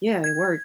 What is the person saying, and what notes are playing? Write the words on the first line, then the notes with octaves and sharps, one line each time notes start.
yeah, it worked,
G#6